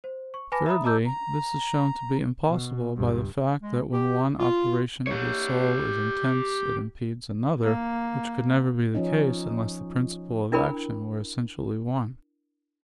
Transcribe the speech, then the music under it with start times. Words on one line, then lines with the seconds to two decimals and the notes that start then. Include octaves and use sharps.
Thirdly, this is shown to be impossible by the fact that when one operation of the soul is intense it impedes another, which could never be the case unless the principle of action were essentially one.
0.04 C5
0.34 C#6
0.52 B4 G#5 A5 B5 D6 A#6
0.66 E5 A#5 B5 D#6
0.84 D#5 A5 A#5 D6 E6 G6
1.07 A#5
2.46 B2
2.96 C#2 G2
3.62 G#3
3.93 G4
4.39 F4
5.07 G4 C#5
7.63 A#3
8.95 F3 C#4 D#4
10.52 D4 E4 A#4 G5 B5